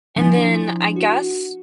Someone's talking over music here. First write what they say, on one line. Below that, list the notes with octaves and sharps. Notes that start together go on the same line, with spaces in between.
and then I guess
F3 D4 E4 G#5
F#4